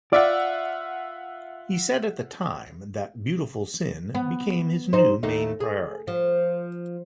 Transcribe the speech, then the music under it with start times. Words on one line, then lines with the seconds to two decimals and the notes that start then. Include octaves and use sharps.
He said at the time that Beautiful Sin became his new main priority.
0.13 F4 D5 E5 F#5
4.15 B3
4.93 D#4 C5
5.23 D#2 A3 D#4
5.60 G#4
6.08 F3